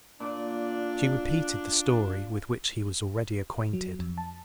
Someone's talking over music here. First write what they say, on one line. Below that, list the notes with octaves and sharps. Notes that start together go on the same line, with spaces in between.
She repeated the story with which he was already acquainted.
A#2 D4
F#3
F2
A5